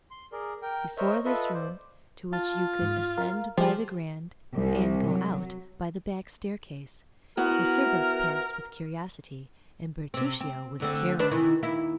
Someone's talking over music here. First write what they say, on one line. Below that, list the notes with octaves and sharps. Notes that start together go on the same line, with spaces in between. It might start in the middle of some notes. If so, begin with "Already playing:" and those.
Before this room, to which you could ascend by the grand, and go out by the back staircase, the servants passed with curiosity, and Bertuccio with terror.
C6
G#4 A#4 D5
A#4 G5
A#4 C5 C#5 D#5 E5
F4 A4 B4 D#5 E5
C5 D5
F4 A5
G#2
A#4 F5
F3 G4 G#4
C2
F#3
B3 E4 F#4 A#4
C3 C4
C4
D2 D3 C4
D4 B4 C5
C3 D#3 E3
D#2 A#3 E4